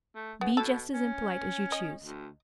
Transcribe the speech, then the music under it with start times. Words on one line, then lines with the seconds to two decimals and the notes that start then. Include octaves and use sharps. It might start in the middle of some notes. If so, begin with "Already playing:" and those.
Be just as impolite as you choose.
0.15 A3
0.41 C#3 B3
0.57 B2 A4
0.94 C#4
1.72 D#5
2.03 D2